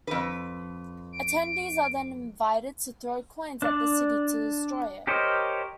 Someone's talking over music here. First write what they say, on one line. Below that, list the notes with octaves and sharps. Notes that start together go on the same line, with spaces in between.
Attendees are then invited to throw coins at the city to destroy it.
F2 B4
D7
D4 D5
G4 A#4 C5 C#5 D#5